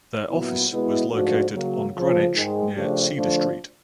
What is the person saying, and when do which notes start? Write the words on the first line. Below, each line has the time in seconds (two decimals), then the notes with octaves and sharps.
Their office was located on Greenwich near Cedar Street.
0.29 A#2 F#3 B3 E4
0.70 B2 G#3 B3 E4
1.11 G#2 F3 A3 D4 F#4
1.52 C#3 F#3 A#3
1.93 D2 C#3 F3
2.33 G#2 D#3 G#3
2.73 C#3 F3 A3 D4 G4
3.15 D3 F3 A3 D4